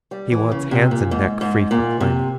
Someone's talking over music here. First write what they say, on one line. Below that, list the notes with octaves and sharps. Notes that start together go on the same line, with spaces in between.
He wants hands and neck free for climbing.
G3
E3
C#3
C3
A#2
G#2
G#2
A#2
C3